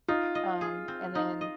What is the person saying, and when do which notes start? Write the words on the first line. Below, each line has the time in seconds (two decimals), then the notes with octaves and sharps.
Um, and then,
0.08 D#4 F4
0.35 D#5
0.61 G#4
0.88 C4
1.15 D#4
1.41 D#5